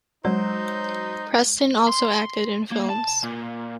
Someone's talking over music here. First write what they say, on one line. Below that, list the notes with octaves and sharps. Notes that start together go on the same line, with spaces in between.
Preston also acted in films.
F#3 G#3 D#4 C5
C6
A#3
A5
A#2